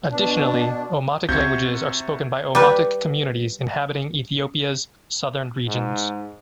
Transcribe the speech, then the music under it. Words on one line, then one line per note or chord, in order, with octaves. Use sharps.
Additionally, Omotic languages are spoken by Omotic communities inhabiting Ethiopia's southern regions.
B2 D4
C#2 C3 F#4 G6 G#6
G3 B4
G#2